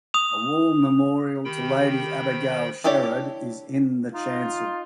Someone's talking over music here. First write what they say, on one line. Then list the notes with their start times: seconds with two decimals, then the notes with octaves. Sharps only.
A wall memorial to Lady Abigail Sherard is in the chancel.
0.14 D#6 F7
1.45 D#3 G4 G5 B5
2.33 C5
2.84 D4 E4 G4 C#5 D5
4.14 D#4 F4